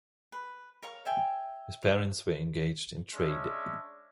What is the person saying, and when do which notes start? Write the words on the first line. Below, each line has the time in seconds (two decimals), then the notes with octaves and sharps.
His parents were engaged in trade.
0.32 B4
0.83 A#4 C#5 F5 C#6
1.05 C#5 E5 G5 G#5
1.83 C#5
3.15 G#3 C#4 D4 C#5 E5